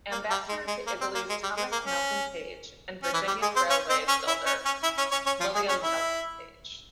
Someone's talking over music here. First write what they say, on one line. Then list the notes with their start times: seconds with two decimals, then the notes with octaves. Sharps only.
Ambassador to Italy Thomas Nelson Page, and Virginian Railway builder William Nelson Page.
0.11 A#3
0.31 G3
0.49 G#3
0.67 G#3
0.87 A#3
1.01 C4
1.15 A#3
1.29 G#3
1.43 G3
1.57 G#3
1.72 A#3
1.86 C#4
3.03 C#4
3.14 E3 E4
3.27 G3 G4
3.42 G#3 G#4
3.56 C4 C5
3.70 C#4 C#5
3.90 C4 C5
4.08 C#4 C#5
4.27 E4 E5
4.46 C#4 C#5
4.65 C#4 C#5
4.83 E4 E5
4.98 C#4 C#5
5.11 C#4 C#5
5.26 C#4 C#5
5.40 F3 F4
5.55 G#3 G#4
5.69 C#4 C#5
5.83 E4 E5